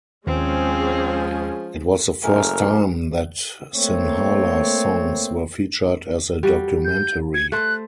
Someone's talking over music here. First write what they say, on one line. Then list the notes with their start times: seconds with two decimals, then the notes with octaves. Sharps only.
It was the first time that Sinhala songs were featured as a documentary.
0.27 D#2 F3 G#3 C4 C#4 G#4
2.24 F#1 A3 A#4 G#5
3.76 A3 A#3 C4 C#5
6.43 G3 F#4
6.85 G6
7.34 G#6
7.52 A3 C5 F#6